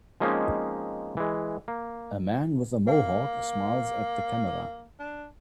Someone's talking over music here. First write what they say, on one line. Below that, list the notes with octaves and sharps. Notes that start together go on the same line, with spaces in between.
A man with a Mohawk smiles at the camera.
F3 G#3 A#3 C4 C#4 D#4
E3 G#3
A#3
A#3
D4